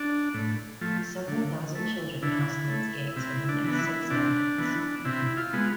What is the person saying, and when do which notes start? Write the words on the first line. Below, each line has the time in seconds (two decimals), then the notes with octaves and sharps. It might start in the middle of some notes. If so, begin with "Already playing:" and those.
Several thousand children passed through its gates over the next six decades.
Already playing: D4
0.34 A2
0.81 F3 A3
1.28 D3
1.75 A3
2.22 D3 E4
2.70 A3
3.16 C3 E4
3.49 D4
3.64 E3 B3
3.79 E4
4.10 C3 D4
4.58 E3 B3
5.05 C3 E4
5.37 F4
5.53 G#3 B3